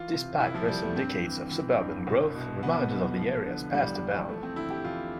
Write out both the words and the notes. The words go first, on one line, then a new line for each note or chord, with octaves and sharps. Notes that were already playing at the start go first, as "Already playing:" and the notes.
Despite recent decades of suburban growth, reminders of the area's past abound.
Already playing: E3 F4
C3
C2 E4
F3
C2 G3
A3
G2 C4
E3
E3
G2
C2
B2
B2 B3
C2
F3
D3
E2 G3
E2
F3 A3
C4
D3 E4
G4
E2 F4